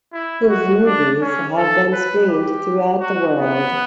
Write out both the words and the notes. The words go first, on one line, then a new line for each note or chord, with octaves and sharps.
His movies have been screened throughout the world.
E4
F#4
D4
C#4
A4
B4
G4
F#4
B3